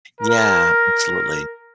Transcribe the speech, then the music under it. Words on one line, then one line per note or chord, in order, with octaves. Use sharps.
Yeah. Absolutely.
A#4